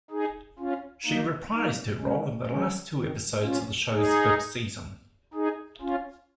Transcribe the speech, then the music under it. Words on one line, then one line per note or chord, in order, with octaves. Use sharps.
She reprised her role in the last two episodes of the show's fifth season.
D#4 G#4
C#4 F4
A#3 D#4
A#3 D#4
G#3 C#4
G#3 C#4
D#3
C#4 F4
D#4 G#4
D#4 G#4
C#4 F4